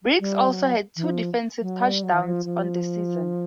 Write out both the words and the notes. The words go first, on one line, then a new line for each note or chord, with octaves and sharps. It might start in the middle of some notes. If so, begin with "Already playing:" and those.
Briggs also had two defensive touchdowns on the season.
G3
F#3
E3
F3
F#3
G3
F#3
E3
F3
F3